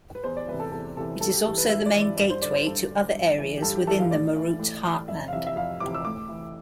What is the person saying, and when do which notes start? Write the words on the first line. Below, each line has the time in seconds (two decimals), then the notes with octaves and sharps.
It is also the main gateway to other areas within the Murut heartland.
0.15 B4
0.24 E2 C5
0.37 D5
0.48 C3 E3 B4
0.60 A4
0.72 E2 A4
0.97 C3 E3 A4
1.20 G2 A4
1.33 G4
1.45 E3 A4
1.58 B4
1.69 G2 E5
1.86 D5
1.93 E3
2.01 D5
2.17 G2 D5
2.30 C5
2.42 D3 D5
2.54 C5
2.66 G2 A4
2.91 D3
3.15 G2
3.39 E3
3.57 G4
3.62 G2 A4
3.75 G4
3.87 E3 A4
3.99 F5
4.11 A2 D5
4.36 E3
4.59 A2
4.84 E3
5.08 F2 E5
5.28 F5
5.32 C3 E3 E5
5.47 E5
5.56 F2 F5
5.80 C3 E3 D6
5.94 E6
6.05 A2 D6
6.29 E3